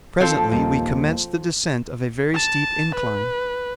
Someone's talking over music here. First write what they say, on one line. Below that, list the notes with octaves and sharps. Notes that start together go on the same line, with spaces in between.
Presently we commenced the descent of a very steep incline.
F3 C4 A4
D#2 A#2 G3
A5
B4